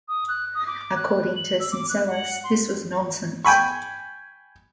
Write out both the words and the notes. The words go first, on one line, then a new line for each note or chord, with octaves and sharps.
According to Syncellus this was nonsense.
D#6
F#6
D#6
D6
F#6
F#7
E6
D6
F#6
F#5
C6
G5 G#5 B5 C#6